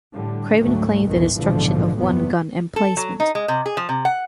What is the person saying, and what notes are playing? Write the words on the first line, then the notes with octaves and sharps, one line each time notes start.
Craven claimed the destruction of one gun emplacement.
A2 D3 G3
D2 G#2 F#3 A3
B1 F2 G#2 B2 D#3 E3
A#1 G#2 B2 D3 E3 F3
F#1 E2 A2 C3 F#3 B3
A4
F#3
D#4
G#3
C3
G#4
F3
C3
F#5